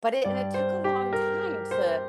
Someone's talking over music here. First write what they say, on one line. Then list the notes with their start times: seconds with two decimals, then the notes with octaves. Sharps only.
but it and it took a long time to,
0.25 G2 G3 D5
0.54 C5
0.84 G4
1.13 A#4
1.71 C5